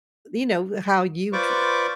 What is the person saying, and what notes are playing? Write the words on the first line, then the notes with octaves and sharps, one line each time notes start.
you know, how you tr
F4 B4 C5 D5 C#6 D6